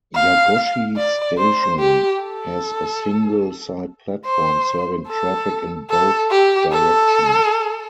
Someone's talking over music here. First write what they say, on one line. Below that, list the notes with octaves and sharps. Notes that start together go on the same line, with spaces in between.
Yagoshi Station has a single side platform serving traffic in both directions.
F5
D5
C5
G4
A4
C5
A4
A4
G4
A4